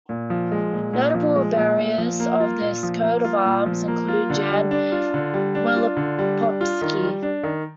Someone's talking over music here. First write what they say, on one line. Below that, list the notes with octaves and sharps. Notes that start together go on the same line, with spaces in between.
Notable bearers of this coat of arms include Jan Wielopolski.
A#2
F3
G#3
A#2
A#2
F3
G#3
A#2
A#2
F3
A#3
F4
A#2
F3
A#3
F4
A#2
F3
A#3
F4
D3
G3
D4
F4
D3
G3
D4
F4
D3
G3
D4
F4
D#3
G3
D4
D#3